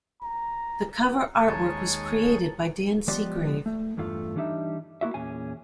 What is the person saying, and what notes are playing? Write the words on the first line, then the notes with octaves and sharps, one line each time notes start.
The cover artwork was created by Dan Seagrave.
A#5
D#2 G#3 C#5 A5 A#5 A6
F3 G#3 B3 G4 D5 C6
A3
E2 G2 A3 F4 F5
E3 G3 D4 D#4 E5
A#3 E4 F#4 E5
E2 A#2 C#4 G#4 G#5